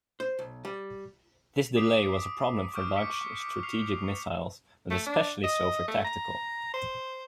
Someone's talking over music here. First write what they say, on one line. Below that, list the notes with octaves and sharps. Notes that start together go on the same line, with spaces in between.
This delay was a problem for large strategic missiles, but especially so for tactical.
C5
B1
G3
D6 D#6 B6 C7 D7
C7
C#6 D6 F6 G6 D7
B6 C#7 D7
F6 C7 F7
A3
D4
D#5
A3
A#5
C5